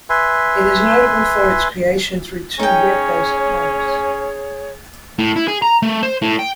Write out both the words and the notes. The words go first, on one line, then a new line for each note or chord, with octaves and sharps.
It is notable for its creation through two web-based polls.
B4 E5 G#5 C6
C#4 D#4 G#4 C#5 G5
A2
E4
G#4
A#5
A3
C5
A2
G5